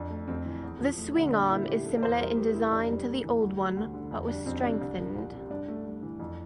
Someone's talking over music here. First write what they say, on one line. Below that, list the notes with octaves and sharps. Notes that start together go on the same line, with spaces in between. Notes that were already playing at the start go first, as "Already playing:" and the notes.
The swingarm is similar in design to the old one, but was strengthened.
Already playing: F2 D4
A3
F2 C4
E3
E2
F3
A3
D3
A#2 D4
A#3 E4
A#2 G4
G3 A4
D5
E2 C5
G3 A#4
A#3 G4
C3 E4
F2 D4
G3
A#3
E3
D2
G3
D2
D3
F2
G3 D4
F2 C4
C3 D4
C2
F3
C2
C3
G2 D4
A3
G2
E3
F2